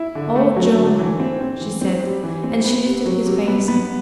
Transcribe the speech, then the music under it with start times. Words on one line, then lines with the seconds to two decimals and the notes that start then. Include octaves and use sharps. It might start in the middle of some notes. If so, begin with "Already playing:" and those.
'Oh, John!' she said, and she lifted his face up.
Already playing: E4
0.15 D3
0.36 A3
0.56 F#3
0.78 D3
0.98 E3
1.20 C4
1.40 C4
1.60 E3
1.81 C4
2.03 G3
2.23 E3
2.44 C4
2.64 B3
2.86 C3
3.06 F#3
3.26 C3
3.48 B3
3.68 B3